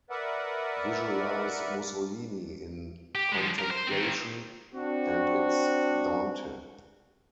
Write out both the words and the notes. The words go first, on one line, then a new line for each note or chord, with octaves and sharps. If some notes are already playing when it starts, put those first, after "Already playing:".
Visualize Mussolini in contemplation, and it's Dante.
A#4 B4 D5 E5 F#5
G4
F3 G#3
A#4
C5
D#3 C4
C4 D4 F#4